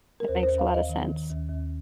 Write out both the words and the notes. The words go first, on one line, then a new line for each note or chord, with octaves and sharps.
That makes a lotta sense.
A#4
D#2 C5
C5
D#2
F5
D#2
D#5
D#3
D#3
D#2
D#2